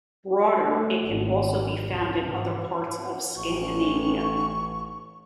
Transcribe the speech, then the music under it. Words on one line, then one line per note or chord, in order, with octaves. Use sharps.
Broader, it can also be found in other parts of Scandinavia.
A3
G#1
C2
G#2 E3
A1 C#6